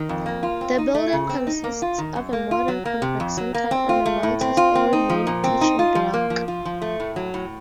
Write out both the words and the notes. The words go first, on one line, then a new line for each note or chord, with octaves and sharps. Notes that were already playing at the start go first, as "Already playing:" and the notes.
The building consists of a modern complex centred on a multi-storey main teaching block.
Already playing: D#3
F2
A#3
F4
C4
D#4
A3
C#3
C4
D#4
A#3
F4
D#3
F#2
A#3
F4
F#3
A#3
C3
F2
F#3
A#3
C4
F4
A3
A2
C4
F4
C4
D#4
F3
A#2
C4
D#4
F4
F3
A#3
F3
F4
F3
A3
A2
F#3
A2